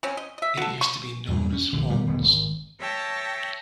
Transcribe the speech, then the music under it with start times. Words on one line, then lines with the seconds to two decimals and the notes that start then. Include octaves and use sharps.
It used to be known as Hawnes.
0.03 C4 C#4
0.17 D#5
0.38 D#5 E5
0.57 F#4 A4
0.81 C#6
1.28 E2 G2 A#2 F#3
1.53 C#4
1.73 A#1 D3 E3
1.90 B2 D#3 G3
2.07 D#1 E2 B2 B3
2.22 G#1
2.80 C#5 E5 G5 A5 A#6